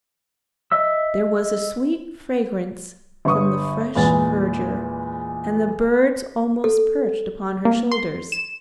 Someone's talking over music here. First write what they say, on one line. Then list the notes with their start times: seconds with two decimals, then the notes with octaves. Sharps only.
There was a sweet fragrance from the fresh verdure, and the birds almost perched upon her shoulders.
0.72 D#5 E5 E6
3.25 G1 B4 C#6 D#6
3.95 E2 A#2 G#3 B4 A6
6.64 A4
7.65 A#3
7.92 C6
8.32 E7